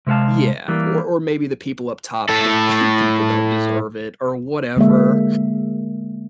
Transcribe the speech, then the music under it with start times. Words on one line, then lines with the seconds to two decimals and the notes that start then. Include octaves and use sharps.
Yeah, or or maybe the people up top think that people don't deserve it or whatever,
0.07 C3 G#3 A4 F5 A5
0.68 E3 G3 A#3
2.29 A2 A4
4.77 D3 G#3 A#3 E5